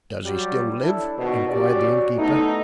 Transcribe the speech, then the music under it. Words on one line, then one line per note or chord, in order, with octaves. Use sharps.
"Does he still live?" inquired the innkeeper.
F#3 G3
D4 E4 A4
A#1 B2 D#3
C#4 F#4 G4 D5
A#1 A3 B3 D#4 E4 A4